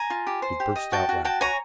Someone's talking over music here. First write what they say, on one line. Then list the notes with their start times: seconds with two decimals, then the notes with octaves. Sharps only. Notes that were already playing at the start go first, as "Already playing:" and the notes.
He burst out laughing.
Already playing: G#5 A#5
0.10 F4
0.27 G4
0.42 C5
0.60 G4
0.76 D#5
0.92 F#4 G5 A5
1.09 F#4
1.25 F#4 G5 A5
1.41 C#5 G#5 A#5